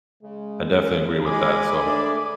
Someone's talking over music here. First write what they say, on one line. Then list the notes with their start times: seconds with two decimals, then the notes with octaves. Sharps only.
I definitely agree with that. So
0.23 C#3 G#3
1.26 G#3 G#4 G#5 B5 D6
1.79 A3 D4